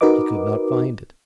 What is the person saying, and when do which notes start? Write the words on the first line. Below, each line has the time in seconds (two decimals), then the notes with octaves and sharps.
He could not find it.
0.01 D#4 F#4 A#4 B4 D#5 D6